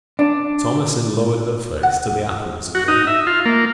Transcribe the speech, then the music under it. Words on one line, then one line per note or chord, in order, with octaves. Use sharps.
Thomasin lowered her face to the apples again.
D4
F#5
F#4
D#4
E5
F4
A#3